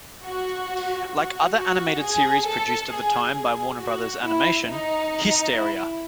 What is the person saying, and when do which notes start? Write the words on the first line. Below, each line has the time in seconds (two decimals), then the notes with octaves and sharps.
Like other animated series produced at the time by the Warner Brothers animation, Histeria!
0.24 F#4
1.14 F#4
1.58 F#4
2.03 G#4
2.46 A4
2.91 G#4
3.35 G#4
3.80 F#4
4.24 E4
4.69 D#4
5.57 E4